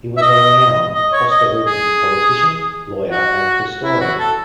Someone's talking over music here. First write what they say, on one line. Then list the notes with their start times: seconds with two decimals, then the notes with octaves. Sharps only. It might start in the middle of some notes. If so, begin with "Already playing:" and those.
He was a renowned Costa Rican politician, lawyer, and historian.
0.17 E5
0.22 D#5
0.94 D#5
1.13 C#5
1.30 D#5
1.66 G#4
3.10 F#4
3.83 E4
4.00 F#4
4.19 A4